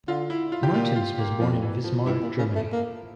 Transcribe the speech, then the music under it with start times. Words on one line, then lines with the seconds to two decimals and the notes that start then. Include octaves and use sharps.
Martens was born in Wismar, Germany.
0.08 D3 F4
0.30 E4
0.52 F4
0.63 G4
0.74 A#2 F4
0.96 F4
1.18 A#3
1.40 F2 F3
1.62 E3
1.84 F3
2.06 G2 E4
2.23 A#2
2.39 C#3
2.55 A3
2.72 A#3